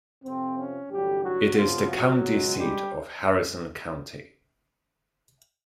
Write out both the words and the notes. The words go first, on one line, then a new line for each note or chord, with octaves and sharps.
It is the county seat of Harrison County.
F2 C3 F3 C4
C#4
A1 G2 D3 F#3 G3 G4
F#3 F#4
F2 C#3 F3 F#3 B3 F4
F#3 F#4
C#2 B2 G#3
G3 G4